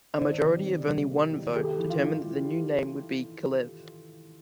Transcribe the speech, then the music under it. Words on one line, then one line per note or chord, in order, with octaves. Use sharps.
A majority of only one vote determined that the new name would be "Kalev".
D#3 C5 D5
C3
C3
G3
A#3
D#3
G#3 G4 A4
E3
F4
E3